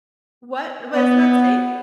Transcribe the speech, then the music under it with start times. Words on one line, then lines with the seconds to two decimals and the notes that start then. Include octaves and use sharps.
What? Wasn't that safe?
0.94 B3